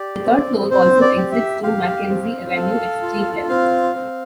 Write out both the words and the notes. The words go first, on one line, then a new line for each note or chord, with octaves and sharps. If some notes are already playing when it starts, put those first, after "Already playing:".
The third floor also exits to MacKenzie Avenue at street level.
Already playing: G4 D5
C4
C4 C5
D5
G4
E5
G4 F5
C4
A4
F4
C4 F5
C4